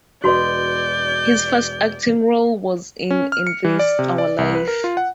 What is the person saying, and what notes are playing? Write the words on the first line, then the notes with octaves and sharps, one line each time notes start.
His first acting role was in "In This Our Life".
E1 F#4 B4 D5 D#5 C6 G6
C#4
F6
C#7
E3
D5
C3
D5
C2
B4
A#4
F4
F#5